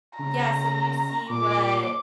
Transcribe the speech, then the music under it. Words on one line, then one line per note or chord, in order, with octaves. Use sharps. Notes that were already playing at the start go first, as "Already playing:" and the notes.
Yeah, so you see what
C#3 A#5
A#2 D6